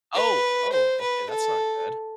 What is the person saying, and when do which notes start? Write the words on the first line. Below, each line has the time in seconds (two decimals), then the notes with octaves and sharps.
Oh! Oh, okay. That's not good.
0.15 B4
0.72 C5
1.01 B4
1.30 A4